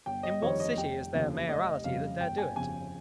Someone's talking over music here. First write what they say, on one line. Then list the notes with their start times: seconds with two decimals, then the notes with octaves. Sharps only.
In what city is there a mayoralty that dare do it?
0.06 G1 G5
0.23 D#5
0.42 F2 D#3 G3 C#5
0.60 D#5
0.77 F1 G5
1.13 D#2 C#3 F3
1.49 F1 D#5
1.84 F2 C#3 G3 F5
2.20 G1 G5
2.38 G#5
2.56 F2 C#3 G#5